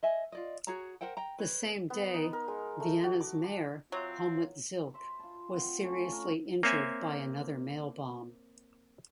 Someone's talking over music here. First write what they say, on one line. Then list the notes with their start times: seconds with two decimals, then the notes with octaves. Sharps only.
The same day Vienna's mayor Helmut Zilk was seriously injured by another mailbomb.
0.03 D#5 E5 G#5
0.32 F4 D5 D#5
0.67 F#4 G#4 C#5 A#5
1.01 A#4 C5 F#5 G5
1.17 G5 A#5
1.38 B4 C#5
1.90 B3
2.14 D#4
2.33 A#4
2.48 G#3
2.80 A3
3.04 F#4
3.20 D6
3.44 D6
3.92 F#3 C4 F4 C#5 E5 C6
4.94 C5 E5 B5
5.20 F4 A5
5.52 C4 F4 D#5 F#5
5.81 A3 C4 C#4
6.11 A#4 C#5
6.63 A#3 C4 C#5 E5 G#5